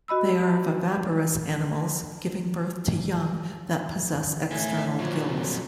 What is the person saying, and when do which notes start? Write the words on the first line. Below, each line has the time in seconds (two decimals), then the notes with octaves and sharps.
They are viviparous animals, giving birth to young that possess external gills.
0.08 F#4 D#5 B5 E6
4.51 A2 E5 G#5
4.99 A#2 F3 F#3
5.35 F2